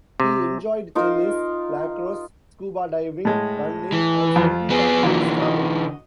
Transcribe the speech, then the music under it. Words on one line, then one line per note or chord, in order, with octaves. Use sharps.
He enjoyed tennis, lacrosse, scuba diving, running, and spending time with his family.
C3
D#4 F4 A#4
A2 G#3
E3
F2 F4
B3 G#4
A#1 A#2 D3 E3 F#3
F#4 D#5